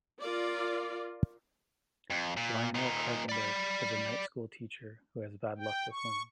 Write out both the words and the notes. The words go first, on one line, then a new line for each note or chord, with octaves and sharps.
Lionel Carpenter is a night-school teacher who has bad luck with women.
F4 A#4 D5
F2
A#2
A#2 D#4
D5 B5
G5
C#6